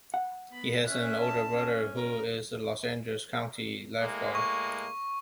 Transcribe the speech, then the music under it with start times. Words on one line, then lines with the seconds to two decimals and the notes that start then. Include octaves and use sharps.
He has an older brother who is a Los Angeles County Lifeguard.
0.14 F#5
0.50 B3 B5
0.85 C#4 E5 F#6
1.21 A5
1.52 C#4
1.95 A#4
4.01 A2 G#3 A#3
4.35 C#6